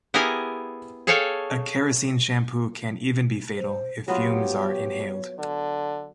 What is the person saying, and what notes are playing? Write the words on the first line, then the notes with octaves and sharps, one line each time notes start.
A kerosene shampoo can even be fatal if fumes are inhaled.
B3 E4 G4 G#4 A#4 G#5
G#4 A4 C#5 F5 G5 G#5
C5
F#3 B3 F4 G4 C#5
D3